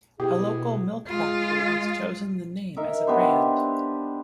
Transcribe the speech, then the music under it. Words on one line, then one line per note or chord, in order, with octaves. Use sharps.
A local milk-factory has chosen the name as a brand.
B2 E4 G4 G#4
G#3 F4
D#4 A#4 E5
B3 D4 G4 C5